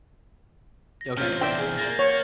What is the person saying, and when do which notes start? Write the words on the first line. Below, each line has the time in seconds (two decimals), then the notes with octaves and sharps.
Okay, good, cool.
1.01 A#6
1.17 E2 C3 C#4 F4 F6 G6
1.41 D4 C5 E5 G5
1.59 G#4
1.77 A#3 A6 A#6
1.99 C#5 F7